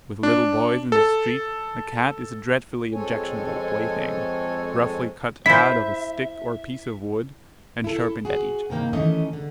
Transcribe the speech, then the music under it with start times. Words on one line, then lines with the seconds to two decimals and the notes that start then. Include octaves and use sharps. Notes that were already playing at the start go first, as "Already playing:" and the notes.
With little boys in the street a Cat is a dreadfully objectionable plaything, roughly cut out of a stick or piece of wood, and sharpened at each end.
0.23 D4
0.92 A4
2.94 F2 G#3 C4 A4 C#5 G#5
5.46 E4 C5 E5 B6
7.84 E4 A4
8.25 F#4 G#4
8.70 G2 C3 D#3 A#3 G5
8.93 D#3 E3 A3 C#4 D#5
9.33 D3